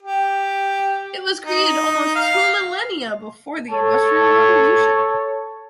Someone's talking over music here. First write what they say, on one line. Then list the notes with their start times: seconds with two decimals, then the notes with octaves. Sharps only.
It was created almost two millennia before the industrial revolution.
0.02 G4
1.44 D#4
2.15 F5
3.70 A4 C#5 A5